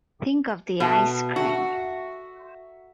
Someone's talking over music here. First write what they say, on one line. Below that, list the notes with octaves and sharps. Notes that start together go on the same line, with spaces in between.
Think of the ice cream!
B2 A3 A5 A#5
F#4 E5 A#5 E6